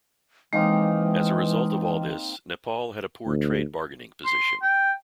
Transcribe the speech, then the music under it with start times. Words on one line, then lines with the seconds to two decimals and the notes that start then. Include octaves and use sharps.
As a result of all this, Nepal had a poor trade bargaining position.
0.53 D#3 E3 G#3 A#3 C4 D#6
3.26 D2
4.26 C6
4.62 G5